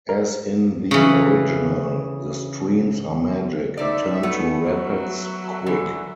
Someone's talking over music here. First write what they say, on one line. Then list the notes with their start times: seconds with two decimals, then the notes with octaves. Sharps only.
As in the original, the streams are magic, and turn to rapids quick.
0.09 A#4
0.91 C#3 E3
3.78 D3 D#4 D5 E5
4.23 A3 B3 B4
4.64 F#3 E5
5.66 D3 E3